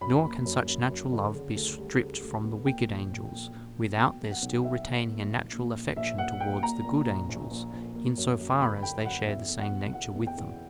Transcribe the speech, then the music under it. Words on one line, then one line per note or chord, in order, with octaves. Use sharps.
Nor can such natural love be stripped from the wicked angels, without their still retaining a natural affection towards the good angels, in so far as they share the same nature with them.
F#2 B5
A#3
F#2
F#2
F#2
D3
C#3
D2
G3
C#3
D2
B3
A#2 G5
A#1
A#1
A#1
A#1
A#3
B2 G5
F#3
F#5
B1
B2 E5
A#3
A#3
A#1
A#1
A#1
A#1 E5
A#1 F#5
A#3 G5
A#2 A#5
A#2
A#1
A#1
A#1
A#1
A#3
F#2
F#2
D3 B5
D3 G5
F#2 F#5
E2 E5
E2
F#5
B2
E2 F#5
E2
G5
E2